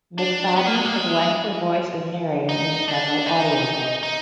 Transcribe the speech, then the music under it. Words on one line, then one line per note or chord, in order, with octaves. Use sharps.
McFadden has lent her voice as narrator in several audio books.
D4
B3
A#3
G#3
A#3
G#3
D#4
D4
D#4
D#4